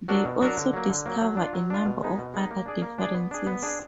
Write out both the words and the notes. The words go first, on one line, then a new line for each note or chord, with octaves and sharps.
They also discover a number of other differences.
F#3 D4 F#4 A#4
B2
F#3 D4 F#4 A#4
D3
F#3 A#3
D3
F#3 A#3
F#3
D4 F4
F#3
D4 F4
B2
G#3 B3 D#4
B2
G#3 B3 D#4
A#3
D4 G#4 D5
A#3
D4 G#4 D5
B3
D4 G#4
B3
D4 G#4